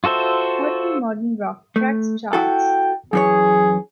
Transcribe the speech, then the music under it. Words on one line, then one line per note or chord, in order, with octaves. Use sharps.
Hot Modern Rock Tracks charts.
F4 F#4 A4 C5 E5
A3
E4 F#4 A4 G5
F#2 E3 G#4 C#5